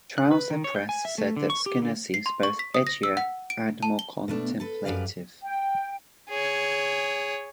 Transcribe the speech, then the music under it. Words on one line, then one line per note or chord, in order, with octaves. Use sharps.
Trouser Press said that Skinner seems both edgier and more contemplative.
F#6
B4
D#3
C#5
G6
G#5
E5
A3
D3
C#6
G4
D3
C7
C6
C#6
B6
D#6
A#6
E6
F#5
D7
A5
G7
B2 A3 D4
A4 B4
F#2 G3 B4 D5 F5
G5
G#4 C#5